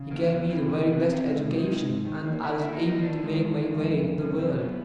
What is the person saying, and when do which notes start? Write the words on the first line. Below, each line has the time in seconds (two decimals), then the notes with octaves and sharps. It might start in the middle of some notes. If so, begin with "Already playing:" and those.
He gave me the very best education, and I was able to make my way in the world.
Already playing: C#3
0.11 E2 A#3
0.30 E2 B3
0.49 E3 C4
0.69 C3 B3
0.88 C3 B3
1.08 C3 C4
1.28 G#3
1.46 C3
1.56 D#4
1.67 G#3
1.85 G#2
2.05 D#3
2.25 A#3
2.44 D#3 E4
2.59 A#3 E4
2.73 D#4
2.83 A#3 D#4
3.02 D#3 D4
3.22 G#3
3.42 D#3
3.60 G#3
3.80 F2
4.00 C3
4.20 F#2 C#4
4.38 F#2 C4
4.57 F#2 B3